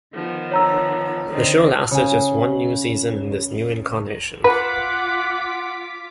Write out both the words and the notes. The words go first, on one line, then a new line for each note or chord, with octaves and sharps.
The show lasted just one season in this new incarnation.
D#3 F3 B3
C#5 A#5 E6
D3 D#3 C4
C#3 G#5
F4 B4 F#5 D6 B6